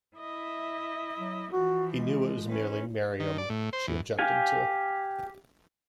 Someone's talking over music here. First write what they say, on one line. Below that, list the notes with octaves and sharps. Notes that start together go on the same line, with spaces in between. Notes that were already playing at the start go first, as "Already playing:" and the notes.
He knew it was merely Miriam she objected to.
E4 D#5 E5
F#3
E3 F3 F#4
G#3
C#4 B4
D#3
D5
A2
C5
E2
G4 F5 G#5